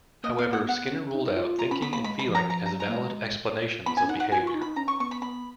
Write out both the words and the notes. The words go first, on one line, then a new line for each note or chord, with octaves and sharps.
However, Skinner ruled out thinking and feeling as valid "explanations" of behavior.
A#3 D#5
B3 F5
A#3
F#5
A#3
B3 F#5
C#4
D#4
D#4
F4
F4 A#5
C#4 B5
B3 B5
A#3 B5
G#3 B5
B5
F3
A#5
F3 A#5
A#5
F#3
A#5
A#3
G#3
B3 B5
G#5
C#4
D#4 F#5
F#5
F#4 G#5
F4 C#6
D#4
B5
D#4
C#4 A#5
C#6
B3 C#6
B5
B3 B5